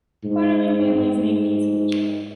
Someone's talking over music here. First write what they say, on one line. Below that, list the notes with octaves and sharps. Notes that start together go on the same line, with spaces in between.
Finally, families made peace with each other.
G#2
G#2